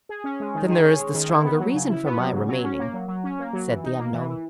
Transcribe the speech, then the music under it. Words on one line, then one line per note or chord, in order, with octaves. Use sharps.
"Then there is the stronger reason for my remaining," said the unknown.
G#4
C#4
G#3
D#3
G#4
C#4
G#3
D#3
E4
B3
F#3
C#3
E4
B3
F#3
C#3
F#3
C#4
A#3
F#3
F#3
C#4
A#3
F#3
E3
D#4
A#3
E3
E3